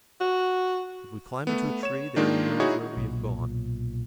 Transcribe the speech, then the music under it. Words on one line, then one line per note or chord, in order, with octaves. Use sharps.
If we climb into a tree they will know where we have gone.
F#4
A3 B3
C#5 E7
D#3 G#3 A#3 D4 D#4 F4
D#4 E4 F#4 G#4 C#5
B1 A#2